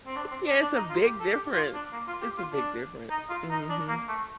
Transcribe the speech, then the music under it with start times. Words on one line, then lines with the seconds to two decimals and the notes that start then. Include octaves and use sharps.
Yeah, it's a big difference. It's a big difference. Mhm,
0.06 C4
0.16 D4
0.31 C4
0.47 D4
0.61 D4
0.76 D#4
0.90 F4
1.05 G4
1.20 A4
1.34 G4
1.53 F4
1.74 D4
1.93 A#3
2.08 F4
2.22 G4
2.38 F4
2.52 D4
3.10 D#4
3.30 F4
3.50 D#4
3.69 D4
3.88 A#3
4.08 A3